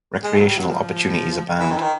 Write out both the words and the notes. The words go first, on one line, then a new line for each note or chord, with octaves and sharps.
Recreational opportunities abound.
G#3
A3
F#3
G3
F#3
F3
E3
D#3
E3
D#3